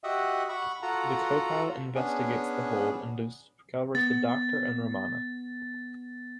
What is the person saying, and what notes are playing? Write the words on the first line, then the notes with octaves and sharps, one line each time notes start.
The Co-Pilot investigates the hold and discovers the Doctor and Romana.
F#4 G4 D#5 E5 F#5
F#5 B5 C#6
F4 F#4 A4 F#5 A#5
B3 C#4 D4 G#4
B3 A6